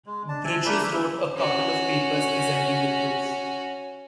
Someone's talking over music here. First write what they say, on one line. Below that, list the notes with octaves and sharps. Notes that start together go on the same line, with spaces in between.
Bridges wrote a couple of papers presenting the proof.
G#3
D4 A5
E5 G#5 A5
A3 A#3 D4 B5
E4 E5
C#4 F#4